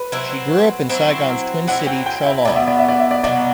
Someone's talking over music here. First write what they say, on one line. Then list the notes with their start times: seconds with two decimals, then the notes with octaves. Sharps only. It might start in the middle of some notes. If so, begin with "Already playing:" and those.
She grew up in Saigon's twin city, Cholon.
Already playing: B4
0.12 F#3 C4 E4
0.89 F#3 C4 E4
1.68 F#3 C4 E4 F#5
1.87 G5
2.06 G5
2.26 E5
2.45 B2 F#3 B3 D5
2.56 E5
2.68 D5
2.79 E5
2.88 D5
3.00 E5
3.11 D5
3.24 B2 F#3 B3 D5